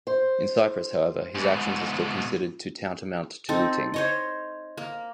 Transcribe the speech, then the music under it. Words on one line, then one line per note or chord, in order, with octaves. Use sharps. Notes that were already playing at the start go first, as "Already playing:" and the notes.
In Cyprus however, his actions are still considered to tantamount to looting.
C5
G#2 B2
C4 D#4 A4
C5 C#5 D#5
A#3